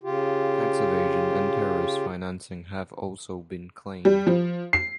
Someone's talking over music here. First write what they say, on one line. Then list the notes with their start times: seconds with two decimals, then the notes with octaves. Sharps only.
Tax evasion and terrorist financing have also been claimed.
0.04 C#3 F4 G4
4.05 G3
4.27 F3
4.73 C7